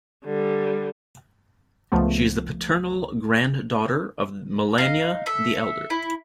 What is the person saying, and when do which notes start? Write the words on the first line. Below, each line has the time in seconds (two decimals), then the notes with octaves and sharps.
She is the paternal granddaughter of Melania the Elder.
0.25 D3 G3
1.92 C#2 F3 A3 B3
4.78 D#4 F5
5.26 A4 E5
5.90 E4